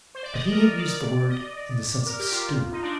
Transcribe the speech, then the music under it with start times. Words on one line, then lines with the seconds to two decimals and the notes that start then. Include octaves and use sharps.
But he had used the word in the sense of Steward.
0.15 C5
0.23 D5
0.33 D#5
0.43 D5
0.52 A#4
0.65 A#4
0.78 D5
0.91 D5
1.29 D#5
1.43 D#5
1.55 D5
2.06 A#4
2.20 G4
2.32 F4
2.72 D#4
2.82 D4